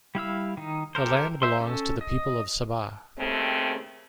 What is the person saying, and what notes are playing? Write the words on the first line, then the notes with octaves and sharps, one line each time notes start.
The land belongs to the people of Sabah.
G3 E4 F5 E6
D#3 D#4
G4 A4 A#4 C5
C5 E5 C6
C#4 A4
D#5
D#2 C#3 A3 C4